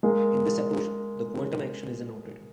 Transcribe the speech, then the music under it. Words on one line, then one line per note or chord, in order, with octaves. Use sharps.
In this approach, the quantum action is an operator.
G#3 A#3